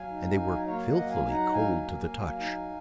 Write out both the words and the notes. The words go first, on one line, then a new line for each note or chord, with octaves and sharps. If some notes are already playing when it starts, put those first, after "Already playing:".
And they were filthily cold to the touch.
Already playing: F#3 F5 G#5
D#4
F#3
A#3 C#5 F5
D#5 F#5
F#3
F5 G#5
D#4
F#5 A#5
F#3 F5 G#5
A#3
F#3
D#4